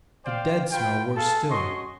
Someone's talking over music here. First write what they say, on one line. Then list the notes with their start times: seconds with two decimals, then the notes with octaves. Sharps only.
The dead smell worse still!
0.25 C5 D5 F5 G5
0.72 F4 F#4 B4 F5 G5
1.15 G#4 A4 F5 A5
1.51 C#4 F#4 D#5 C6 C#6